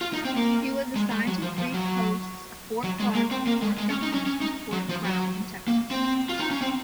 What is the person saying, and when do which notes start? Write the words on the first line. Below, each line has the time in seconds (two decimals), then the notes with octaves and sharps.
He was assigned to three posts-Fort Clark, Fort Duncan, and Fort Brown-in Texas.
0.01 F4
0.13 D#4
0.25 C4
0.37 A#3
0.96 G#3
1.11 G#3
1.27 F#3
1.42 F3
1.58 F3
1.74 F#3
2.84 F#3
3.00 G#3
3.15 A#3
3.31 C4
3.47 A#3
3.62 G#3
3.78 G#3
3.90 C#4
4.02 D#4
4.14 C#4
4.26 C#4
4.41 D#4
4.72 F#3
4.89 F3
5.05 F#3
5.68 A#3
5.91 C4
6.29 F4
6.40 D#4
6.51 C#4
6.62 C4